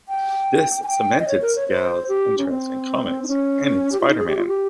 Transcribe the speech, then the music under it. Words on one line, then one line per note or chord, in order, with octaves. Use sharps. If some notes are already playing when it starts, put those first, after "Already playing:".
This cemented Seagle's interest in comics and in Spider-Man.
G5
G#5
G5
D#5
C#5
A#4
C#5
C5
G4
C#4
C4
D#4
C#4
G4
F4
D#4
G#4
G4
F4
G4